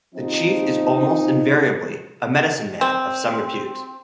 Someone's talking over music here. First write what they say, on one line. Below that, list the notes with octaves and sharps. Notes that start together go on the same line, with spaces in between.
The chief is almost invariably a medicine-man of some repute.
D#2 F3 C4 D#4
C4